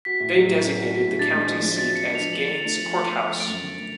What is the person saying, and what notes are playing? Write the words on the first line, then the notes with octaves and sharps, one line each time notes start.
They designated the county seat as Gaines Courthouse.
F#4 B6
A2
F#3
A2
C#4
F#4
F#4
A2
D4 A6
G#3
F3
G#3
F#4 A6
D4 C#7
D4
F3 F7
F3 F#7
F3
A3
F3
A3
A3
F3
A3
D7
F#2 F7
D3
A3